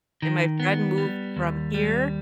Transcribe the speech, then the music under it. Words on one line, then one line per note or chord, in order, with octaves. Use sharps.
and my friend moved from here
D#3
B3
G3
D#2
G3